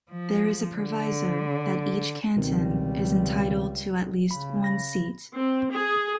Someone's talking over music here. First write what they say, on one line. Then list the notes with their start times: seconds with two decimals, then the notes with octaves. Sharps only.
There is a proviso that each canton is entitled to at least one seat.
0.11 F3
0.76 D3
2.36 C#2 B2 D#3 G3 C4
4.31 C#3 B5
4.63 B5 A#6
5.36 C4
5.73 G#4